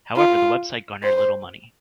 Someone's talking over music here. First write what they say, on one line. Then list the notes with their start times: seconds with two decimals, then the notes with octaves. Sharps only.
However, the website garnered little money.
0.16 F4
1.04 C5